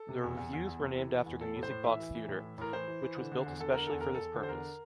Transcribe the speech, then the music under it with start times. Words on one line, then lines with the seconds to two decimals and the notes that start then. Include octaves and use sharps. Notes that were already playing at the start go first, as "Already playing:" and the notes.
The revues were named after the Music Box Theatre, which was built especially for this purpose.
Already playing: A4
0.09 C3
0.23 E2
0.37 E2
0.53 E2
0.67 E2
0.81 C3
0.97 E3
1.11 E3
1.26 E2
1.41 A2 A4
1.56 A2
1.63 C5
1.71 A2
1.84 E3 E5
2.00 E3
2.15 E3
2.28 A2
2.44 E3
2.58 A2 A#4
2.73 E3 C5
2.87 E3
3.02 E3
3.16 D3
3.32 D3
3.46 E2
3.60 D3 A4
3.74 D3 A#4
3.87 E2 A4
4.01 E2 A#4
4.14 A4
4.20 E2
4.34 D3
4.43 C5
4.49 E2 A#4